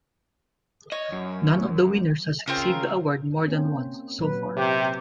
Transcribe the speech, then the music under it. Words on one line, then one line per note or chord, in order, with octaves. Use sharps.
None of the winners has received the award more than once, so far.
C#5 D#5
F#2
C#3 C4 F4 A#4
A#3 C4 C#4
A#2 F#3 B4
C3 G4